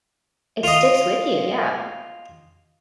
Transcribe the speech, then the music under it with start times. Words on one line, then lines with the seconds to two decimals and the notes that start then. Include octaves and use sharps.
it sticks with you, yeah.
0.63 F4 D#5